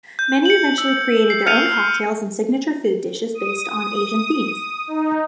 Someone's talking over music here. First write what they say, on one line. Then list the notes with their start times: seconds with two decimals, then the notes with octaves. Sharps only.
Many eventually created their own cocktails and signature food dishes based on Asian themes.
0.19 G6
0.45 C#7 F#7
0.78 E6
1.30 C7
1.46 F6 G6 C#7 D#7 F7
3.34 D#6
4.87 D#4